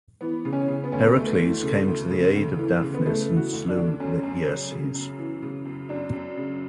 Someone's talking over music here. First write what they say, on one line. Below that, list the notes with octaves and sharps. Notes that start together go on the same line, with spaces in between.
Heracles came to the aid of Daphnis and slew Lityerses.
E3 B3
C#3
C#4
C#3
B3
D2 C#4
B3
D2 A3
E3
C#3
D2
C#3
D2
E3
C#3
B3
C#3 A3
E3
F#4
D2
D4
D2
F#2 C#4
F#2
C#3
C#3
F#2
E3
C#3
F#2
F#2 D4
F#2
C#3